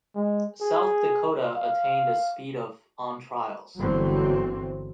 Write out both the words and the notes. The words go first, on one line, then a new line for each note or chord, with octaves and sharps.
"South Dakota" attained a speed of on trials.
G#3
G#4
F5
G1 D3 E3 F#3 C4